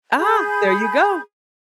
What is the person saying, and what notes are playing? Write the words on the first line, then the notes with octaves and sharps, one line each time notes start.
Ah, there you go!
G#4 G#5 B5 G6